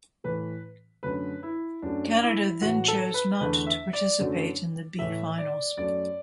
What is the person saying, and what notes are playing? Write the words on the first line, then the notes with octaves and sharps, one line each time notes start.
Canada then chose not to participate in the B Finals.
A2 E3 A3 B4
F#2 D3 A3 B4
E4
F#2 F#3 A3 D4
E4
A2 E3 A3 F#4
A4
B4
E2 D3 A3 B4
E5
D5
F#2 D3 F#3 A3
A2 E3 A3 E5
D5
F#2 F#3 A3 D5